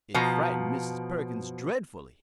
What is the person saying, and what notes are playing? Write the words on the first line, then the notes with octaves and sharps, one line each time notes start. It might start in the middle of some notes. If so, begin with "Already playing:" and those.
It frightened Mrs. Perkins dreadfully.
B2 F3 A#5